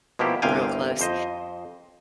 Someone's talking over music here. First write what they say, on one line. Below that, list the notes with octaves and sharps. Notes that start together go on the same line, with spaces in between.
real close,
B2 F3 A#3 E4 G4
G1 C2 C3 F5 G5 G#5
F2 C5 D#5